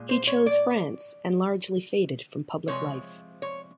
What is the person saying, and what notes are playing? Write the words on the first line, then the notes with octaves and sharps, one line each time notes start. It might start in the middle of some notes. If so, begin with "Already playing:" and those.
He chose France and largely faded from public life.
Already playing: A#2 G#3
C5
C#5
D5
C3 F3 G#3 C#5
C#5